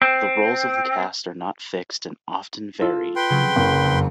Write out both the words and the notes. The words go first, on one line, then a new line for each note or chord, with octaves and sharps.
The roles of the cast are not fixed and often vary.
C4
F4 A4
B4 G5 C6
C#3 F#3 C4
F#1
F2